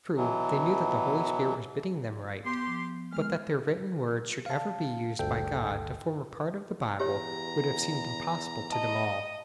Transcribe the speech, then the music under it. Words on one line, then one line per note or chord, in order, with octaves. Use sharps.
True, they knew that the Holy Spirit was bidding them write, but that their written words should ever be used by God to form a part of the Bible would have seemed impossible to them all.
B2 E3 F#3
B3 G4 C6
F3
G#3 F6
F5 A5
G#1 D2 G2 A4 G5
E2 G4 C#5 A#5
D#5 A5